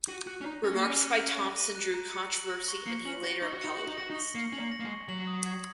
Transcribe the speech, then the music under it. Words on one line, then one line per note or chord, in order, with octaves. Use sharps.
Remarks by Thompson drew controversy and he later apologized.
F#4 D#7
F#4 F#6
C#4
D#4 A#5
C#4 A#6
A#3
C#4 D#7
F#6
A#5
A#6
D#7
F#6
A#5
C#7
F#7
A#6
C#6
A#3 C#7
C#4 F#7
F#4 A#6
D#4 C#6
F#4
D#4 C#7
F#4 F#7
D#4
F#4 A#6
D#4
C#6
A#3 C#7
C#4 F#7
A#3
A#6
A#3
G#3
C#6
F#3 F#7
D#6
G#6